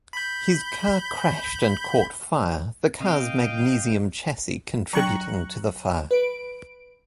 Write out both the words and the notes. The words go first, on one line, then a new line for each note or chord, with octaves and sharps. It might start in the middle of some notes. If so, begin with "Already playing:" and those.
His car crashed and caught fire, the car's magnesium chassis contributing to the fire.
B5 G6
C3 D#5 F5 G5
F#3 D4 G5 A#5 C#6 F#6
B4 D7